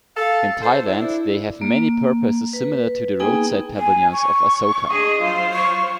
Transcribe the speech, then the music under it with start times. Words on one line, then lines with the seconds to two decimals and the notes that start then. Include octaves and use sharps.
In Thailand, they have many purposes similar to the roadside pavilions of Asoka.
0.16 A4 F5
0.62 A4 C5
0.86 D4 E4
1.61 A#3
2.53 B4
3.20 A#3 B3 D#4 G#4 G5 G#5
3.76 G#5
4.11 C#6
4.89 D4 G#4 D#5
5.20 F#3 F4 C5
5.52 C#6